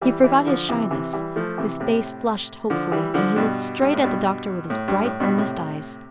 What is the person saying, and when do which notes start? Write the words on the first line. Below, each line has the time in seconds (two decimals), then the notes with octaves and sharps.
He forgot his shyness; his face flushed hopefully, and he looked straight at the doctor with his bright, earnest eyes.
0.02 E3 G3
0.24 E3 G3
0.46 D3 F3
0.68 C3 E3
0.91 C3 E3
1.13 E3 G3
1.36 F3 A3
1.58 C3 E3
1.80 A2 C3
2.70 D3 F3
2.92 E3 G3
3.14 D3 F3
3.36 G2 B2
3.82 G2
3.93 A2
4.03 G2 B2
4.70 A2
4.88 G2
5.05 A2
5.20 G2 B2
5.38 A2 C3